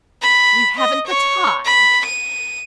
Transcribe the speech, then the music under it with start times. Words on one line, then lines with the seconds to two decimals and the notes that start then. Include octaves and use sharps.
"We haven't the time."
0.22 B5
0.77 D#5
1.07 C#5
1.66 B5
2.05 D#7